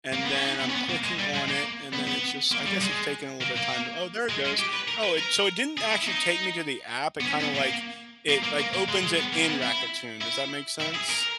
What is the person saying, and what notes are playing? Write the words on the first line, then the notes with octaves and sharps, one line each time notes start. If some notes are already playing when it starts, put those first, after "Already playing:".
and then I'm clicking on it, and then it's just I guess it's taking a little bit of time to oh, there it goes. Oh, it so it didn't actually take me to the app, it kinda, like, it, like, opens it in Rakuten, does that make sense?
A#3
B3
C#4
D#4
B3
C#4
B3
A#3
G#3
G3
G#3
A#3
B3
B3
A#3
G3
G#3
A#3
A#3
G#3
G#3
G4
B4
A#4
B4
A#4
G#4
E4
D#4
B3
C#4
B3
A#3
A#3
A#3
A#3
A#3
G#3
G#3
B3
A#3
A#3
B3
E4
E4
E4
G#4
A#4